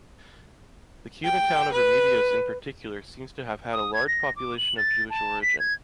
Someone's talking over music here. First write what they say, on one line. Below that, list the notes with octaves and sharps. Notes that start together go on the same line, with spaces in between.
The Cuban town of Remedios in particular seems to have had a large population of Jewish origin.
G5
B4
D#6
G#6
A#6
D6
F#7
A6
A5
B6
G#6